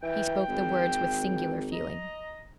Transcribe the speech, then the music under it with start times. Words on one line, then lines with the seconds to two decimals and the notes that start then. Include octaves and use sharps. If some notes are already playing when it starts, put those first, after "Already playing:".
He spoke the words with singular feeling.
0.03 E3 G5
0.48 G#1
1.72 D#5 A#5